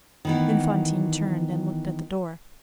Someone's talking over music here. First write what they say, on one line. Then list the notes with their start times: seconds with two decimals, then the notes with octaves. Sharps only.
Then Fantine turned and looked at the door.
0.25 D#3 E3 B3